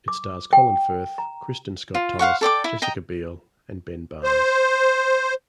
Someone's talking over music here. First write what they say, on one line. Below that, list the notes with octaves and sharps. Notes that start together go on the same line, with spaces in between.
It stars Colin Firth, Kristin Scott Thomas, Jessica Biel and Ben Barnes.
D6
G5
A#5
F4
C5 F5 F#5 C#6
A4 D5 G5 D6
E4
D#5 G5 A#5
C5